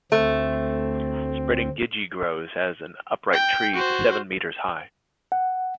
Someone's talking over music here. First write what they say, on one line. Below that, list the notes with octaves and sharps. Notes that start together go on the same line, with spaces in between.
Spreading gidgee grows as an upright tree to seven metres high.
D2 A3 C4
G5
F#4 C5
F#5